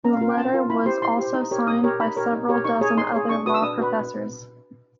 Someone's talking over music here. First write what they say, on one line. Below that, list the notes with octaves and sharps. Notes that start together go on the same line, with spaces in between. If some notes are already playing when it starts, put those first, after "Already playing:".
The letter was also signed by several dozen other law professors.
C#4 A#5
F5
F4 A#4
G5
C#4 A5
F4 A#4
E4 B5
G4 C5 C6
E4 C6
G4 C5
D#4
G4 A#4 C#5
D#4 D#6
G4 A#4 C#5
D#4 B5
G4 A#4 C#5
D#4
G4 A#4 C#5
D#4 C#6
G#4 C#5
D#4 C6
G#4 C#5
D4 C#6
F#4 B4 D#6
E6
D4 D#6
F#4 B4